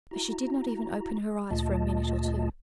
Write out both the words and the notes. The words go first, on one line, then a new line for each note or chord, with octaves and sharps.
But she did not even open her eyes for a minute or two.
E4 F#4 A#5
D2 A#2 A3 F4 D#5 A5